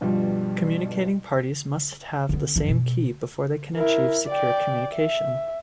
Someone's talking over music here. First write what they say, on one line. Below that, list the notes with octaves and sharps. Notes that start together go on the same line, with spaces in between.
Communicating parties must have the same key before they can achieve secure communication.
G2 B2 F3 G3
D3 B3
F#2 E3
B2
E4 A#4
D5 G5
E5